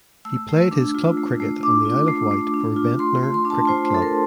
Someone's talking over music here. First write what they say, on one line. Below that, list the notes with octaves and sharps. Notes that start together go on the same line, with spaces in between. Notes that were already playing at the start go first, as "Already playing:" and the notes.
He played his club cricket on the Isle of Wight for Ventnor Cricket Club.
A3 E6
A3
D4
F4
A3
A3
D4 D6
F4
A3
A3
D4
F4
A3 C6
A3
C6
D4
A5
F4 C5
A3 A4
A#4